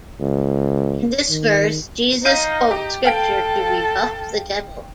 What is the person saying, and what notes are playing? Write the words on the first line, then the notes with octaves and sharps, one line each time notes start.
In this verse Jesus quotes scripture to rebuff the devil.
C#2
D#3
D#4 F5 G6 D#7
G4
A4 F5 G5 D7